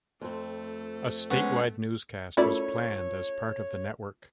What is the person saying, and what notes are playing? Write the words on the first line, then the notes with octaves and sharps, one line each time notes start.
A statewide newscast was planned as part of the network.
F2 A3 C4
G#3 B3 C#4
A3 C#4 E4 F4 A#4 C#5 D5